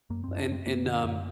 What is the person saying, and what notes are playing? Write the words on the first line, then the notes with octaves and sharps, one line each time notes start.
and and, um,
F#2 A#3
F#2 C4
D4
F#2 C4
F#2 A#3
D3
F#2